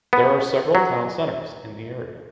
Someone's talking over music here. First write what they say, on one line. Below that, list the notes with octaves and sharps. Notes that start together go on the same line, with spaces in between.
There are several town centres in the area.
B3
F#3